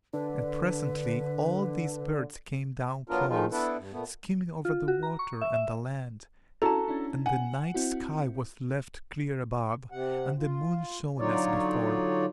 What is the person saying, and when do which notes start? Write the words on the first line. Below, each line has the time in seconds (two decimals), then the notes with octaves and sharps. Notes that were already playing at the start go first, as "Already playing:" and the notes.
And presently all these birds came down close, skimming over the water and the land; and the night-sky was left clear above, and the moon shone as before.
0.13 D3 B4
3.08 F#3 B3 D4 F4 A#4
3.28 D#3 F3 G#3 D#4 F4
3.52 B3 D4 E4 A4 B4
3.77 G2
3.92 A#2 A3 B3
4.65 F4
4.88 F#4
5.03 A#5
5.19 C#6
5.41 E5
5.54 E5
6.62 C#4 D4 E4 F#4 A4 A5 A#5
6.88 C#4 D4 E4
7.26 F#5 G#5
7.74 C4 E4 F#4
9.92 C3 F#5
10.39 F4
11.19 D3 F#3 D#4 F4 C#5 D5